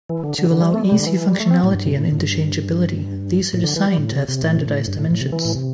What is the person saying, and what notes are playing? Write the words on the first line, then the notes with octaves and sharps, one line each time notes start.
To allow easy functionality and inter-changeability, these are designed to have standardised dimensions.
E3
D3
D3
D3
G3
A3
G3
C3
D3
E3
G3
A3
C4
A2
G2
C3
A2
A2
G2
A2
D3
E3
G3
A2
C3
C3
A2
C3
A2
G2
A2
A2
C3
E3
A2
C3